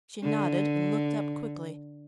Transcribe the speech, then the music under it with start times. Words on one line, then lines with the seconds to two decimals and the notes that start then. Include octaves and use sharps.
She nodded, and looked up quickly.
0.23 D3